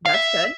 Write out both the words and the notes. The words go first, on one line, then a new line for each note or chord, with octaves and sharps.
That's good.
F5
E5